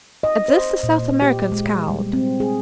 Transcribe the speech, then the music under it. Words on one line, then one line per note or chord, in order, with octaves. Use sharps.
At this the South American scowled.
D#5
C5
A#2
G4
G#3
G3
C4
G#4